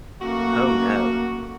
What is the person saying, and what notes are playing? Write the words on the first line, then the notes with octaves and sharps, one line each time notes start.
Oh, no.
F#2 A3 A#3 F#4